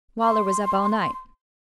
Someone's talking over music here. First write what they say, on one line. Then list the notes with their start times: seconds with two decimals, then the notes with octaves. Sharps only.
Waller was up all night.
0.22 C6